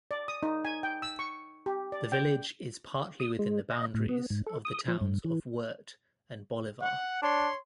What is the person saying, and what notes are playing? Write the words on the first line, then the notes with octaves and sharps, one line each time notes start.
The village is partly within the boundaries of the towns of Wirt and Bolivar.
D5
D#6
D#4
G#5
G5
E6
C#6
G4
D5
G5
D#6
G#3
D#5
A2
B3
G#2
A4
D#6
F3
G2
E3
F#5
D4 C#5 C6